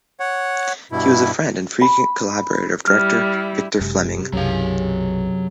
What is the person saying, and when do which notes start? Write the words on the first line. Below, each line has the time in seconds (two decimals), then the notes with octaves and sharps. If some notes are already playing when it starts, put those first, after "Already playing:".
He was a friend and frequent collaborator of director Victor Fleming.
0.20 C#5 F#5
0.92 G2 B2 E4
1.81 B5
2.88 G3 E4 F6
3.79 F#1 F#2 C3 G#3
4.33 B1 F#2 C3 F#3 G#3 F5